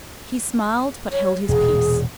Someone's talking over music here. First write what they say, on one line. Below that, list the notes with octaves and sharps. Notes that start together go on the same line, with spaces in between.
He smiled, but held his peace.
C#5
E1 A#2 G#4